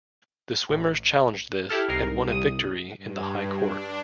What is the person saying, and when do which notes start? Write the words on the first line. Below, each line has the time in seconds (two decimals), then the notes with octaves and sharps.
The swimmers challenged this and won a victory in the High Court.
0.69 A1
1.69 E4 G4 A4 F6
1.89 C2 D#4 A#4 C7
2.28 C2 D#6
2.97 G2
3.54 D4